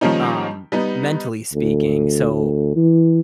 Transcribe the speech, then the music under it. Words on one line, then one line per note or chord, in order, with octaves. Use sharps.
um, mentally speaking so
D#3 F3 G3 A#3 C#4 D#4
G3 B3 D#4
D2
E3